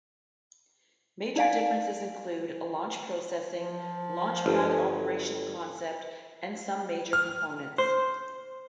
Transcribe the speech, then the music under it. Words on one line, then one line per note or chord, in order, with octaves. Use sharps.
Major differences include launch processing, launch pad operational concept, and some major components.
D#4 D5 F5 G#5
F3
G1
F6
C5